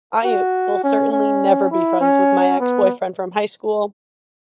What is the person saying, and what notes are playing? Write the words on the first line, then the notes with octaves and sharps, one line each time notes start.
I will certainly never be friends with my ex-boyfriend from high school.
F#4
C#4
C#4
E4
C#4
B3